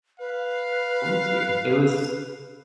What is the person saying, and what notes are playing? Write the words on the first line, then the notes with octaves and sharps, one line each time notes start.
Thank you. It was
B4 F5